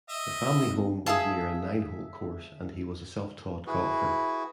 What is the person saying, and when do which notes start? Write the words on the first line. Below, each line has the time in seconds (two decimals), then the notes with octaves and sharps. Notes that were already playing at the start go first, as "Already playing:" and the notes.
The family home was near a nine-hole course and he was a self-taught golfer.
0.09 D#5 E5
0.62 G#1
1.06 G#4 E5 F5 A5
3.67 E4 F#4 G#4 B4